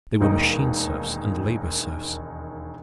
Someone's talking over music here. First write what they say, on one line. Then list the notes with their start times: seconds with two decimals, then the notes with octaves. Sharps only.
They were machine-serfs and labor-serfs.
0.21 E1 D#2 D#4